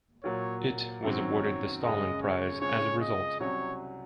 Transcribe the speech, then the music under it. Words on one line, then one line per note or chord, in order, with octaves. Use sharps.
It was awarded the Stalin Prize as result.
A#2 F#3 A#3 C#5
F#2 D#3 F#3 C4 C#5
F#2 C#3 G#3 D#5
C#5
C#3 G#3 C4 F4 C#5
D#5
C2 C3 F#3 C#4 C#5